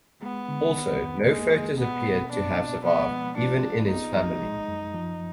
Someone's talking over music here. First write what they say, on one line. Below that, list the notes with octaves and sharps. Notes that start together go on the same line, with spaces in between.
Also, no photos appear to have survived, even in his family.
G#3 B3
D3
D#3
F2
G#3 A#3
D#3
B2 B3
B2
B3 D4
B2
F3 B3
G#3
D4 F4
G#4
B3 D#4
F3
G#3
F#2
F3